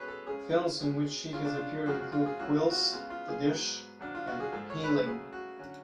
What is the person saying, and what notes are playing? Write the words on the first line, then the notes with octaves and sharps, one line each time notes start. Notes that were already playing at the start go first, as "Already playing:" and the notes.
Films in which she has appeared include "Quills", "The Dish" and "Healing".
Already playing: B2 G#3 C#4 B4 C#5
A4
F2 C#3 G#3 C#4 G#4
B2 G#3 C#4
C#3 G#3 C#4 F4
D4
F4
F2 C#3 F3 G#3 F#4
F#4
F4
G#4
C#3 F3 A3 C#4 F#4
F4
F#4
F4
C#3 G#3 B3 F4
F4
G#4
G#2 F#3 B3
F2 D3 F#3 D4
F4
F#4
G#4
G#2 F3 G#3 A4
C#5
B4
A4
C#3 F#3 A3 G#4
F#4
D3 F#3 C#4